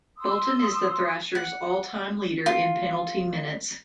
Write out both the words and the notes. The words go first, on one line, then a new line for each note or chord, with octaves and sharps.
Bolton is the Thrashers' all-time leader in penalty minutes.
C6 D#6 E6
F#5
F4